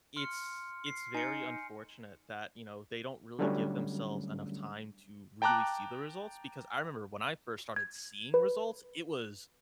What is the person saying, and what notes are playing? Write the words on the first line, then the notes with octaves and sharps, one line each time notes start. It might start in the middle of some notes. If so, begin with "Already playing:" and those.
it's it's very unfortunate that, you know, they don't really give themselves enough time to really see the results, because I remember when I first started seeing results, it was
C6 F6 C#7
C7
D#4 G#5 C7 C#7
D3 F#3 G3 A3 C#4 D4
G5 A5 A#5 D6 F#6
G#6
B4